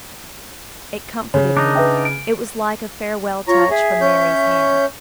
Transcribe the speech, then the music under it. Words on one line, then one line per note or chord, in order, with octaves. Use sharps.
It comforted me--it was like a farewell touch from Mary's hand.
C#3 C#5
D4 D#4
B4 E5 G5
D7
F4 C#5 A#5
G#4 E5
C#4 C#5 G6